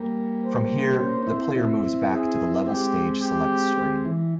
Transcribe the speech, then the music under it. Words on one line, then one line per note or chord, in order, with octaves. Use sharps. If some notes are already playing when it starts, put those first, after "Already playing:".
From here, the player moves back to the level's stage select screen.
Already playing: G3 A#3
C5
A#3 C#4
C#4
C4 E4
C4 E4
G#4
G#3 C4 G4
G4
G#3 C4
E3